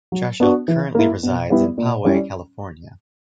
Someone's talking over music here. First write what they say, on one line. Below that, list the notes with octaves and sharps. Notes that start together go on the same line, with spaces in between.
Trachsel currently resides in Poway, California.
F#3
B3 D4 F#4
E3
A#3 E4
B2
G3 B3 E4
A#2
G3 C#4 E4